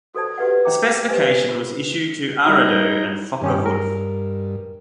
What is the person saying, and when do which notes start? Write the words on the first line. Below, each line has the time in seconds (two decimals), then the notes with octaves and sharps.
The specification was issued to Arado and Focke-Wulf.
0.15 F#4 A4 C5 D5 A5
0.38 F#4 G4 B4 D5 E5 F#5
0.65 C5 E5 G5 A#5 D6
1.08 G4 B4 C5 D#5 G#5
1.48 F4
2.45 G3 D#4 E4 F#4 A#5
3.42 G2 D#3 C#4 G4
3.66 A#4